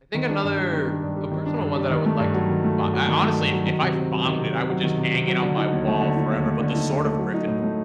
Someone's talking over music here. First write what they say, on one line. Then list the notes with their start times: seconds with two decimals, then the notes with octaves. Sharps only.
I think another A personal one that I would like to bu I honestly, if if I found it, I would just hang it on my wall forever, but the sword of Gryffindor,
0.15 D#3
0.29 D4
0.43 G2
0.58 G3
0.73 D#3
0.87 D4
1.03 G2
1.17 G3
1.31 D#3
1.46 D4
1.61 G2
1.76 G3
1.90 D#3
2.06 A3
2.20 G2
2.34 F#3
2.49 D#3
2.64 A3
2.79 G2
2.93 F#3
3.09 D#3
3.22 A3
3.37 G2
3.52 F#3
3.67 D#3
3.81 C3
3.96 C3
4.11 F#3
4.26 D#3
4.40 C3
4.54 C3
4.70 F#3
4.84 D#3
4.98 C3
5.14 C3
5.28 F#3
5.42 D3
5.58 D#4
5.73 D#2
5.87 A3
6.01 D3
6.17 D#4
6.31 D#2
6.46 A3
6.61 D3
6.75 D#4
6.90 D#2
7.04 A3
7.19 F#3
7.34 D#4
7.48 A2
7.63 A3